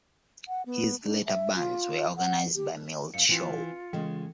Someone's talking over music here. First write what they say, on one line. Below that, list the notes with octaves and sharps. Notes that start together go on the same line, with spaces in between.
His later bands were organized by Milt Shaw.
F#5
B3
D4
E5
F4
F#5
G4
F#2 F5 C#7
E3 C4 F4
C#3 E3 G#3